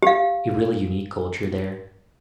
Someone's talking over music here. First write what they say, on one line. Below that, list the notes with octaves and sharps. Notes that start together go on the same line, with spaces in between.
a really unique culture there.
G4 F5